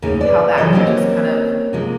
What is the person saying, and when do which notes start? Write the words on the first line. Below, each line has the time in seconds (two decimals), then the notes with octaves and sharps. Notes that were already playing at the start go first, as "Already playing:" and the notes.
how that can just kind of
0.02 D#2 A2 C#3 D#4 G#4
0.21 B4 D5
0.58 C#3 E3 F#3 A4 D#5
0.73 A#3 C4 C#4 G4 A#4 C5
1.73 C3 F3 G#3 A#3